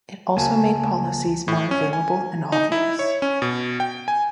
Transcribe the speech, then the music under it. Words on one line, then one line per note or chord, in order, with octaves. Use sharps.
It also made policies more available and obvious.
D2 C#3 A#3 G#5 A5
A2
C#4
G#5
D#4
E4
C#5
C#4
B2
G5
G#5